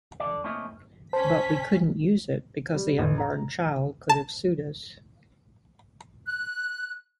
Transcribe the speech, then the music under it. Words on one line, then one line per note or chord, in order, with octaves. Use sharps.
But we couldn't use it because the unborn child could have sued us.
D3 A4 D5
A3 A#3 C4 C#4 E4 D#5
C#4 C5 A5 B6
G3
A1
A#5
A5
F#6